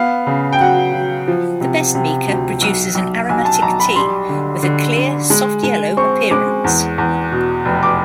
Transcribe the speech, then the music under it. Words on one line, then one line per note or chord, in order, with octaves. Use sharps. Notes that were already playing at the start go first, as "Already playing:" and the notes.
The best Mecha produces an aromatic tea with a clear, soft yellow appearance.
Already playing: B3 F5
C#3
G5
F#3 F#5
F#3
F3
C3
C3
D2
B1
B1
B1 G#5
A5
B1 A#5
B5
G3 C6
D3
D3
D3
G#3
G#3
C4 C#6
G#3 D6
E2
E2
B2
F1
D6